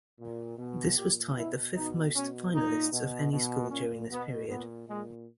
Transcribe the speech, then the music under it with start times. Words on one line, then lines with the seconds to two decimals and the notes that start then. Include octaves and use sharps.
This was tied the fifth most finalists of any school during this period.
0.19 A#2
0.57 B2
0.96 A#2 G4
1.36 B2 E4
1.75 B2 D#4
2.14 B2 C#4
2.53 A#2 D#4
2.92 B2
3.32 B2
3.71 A#2 C#4
4.10 B2 B3
4.49 A#2 B3
4.87 A#2 G#3